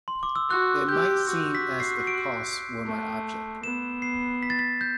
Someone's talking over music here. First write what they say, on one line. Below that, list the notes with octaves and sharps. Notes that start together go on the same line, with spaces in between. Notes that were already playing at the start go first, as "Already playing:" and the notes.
It might seem as if costs were my object.
C6
D6
E6
F#4 F#6
G4 G6
F#4
B6
C7
D7
A3
B3 E7
C7
B6
A6
B6
G6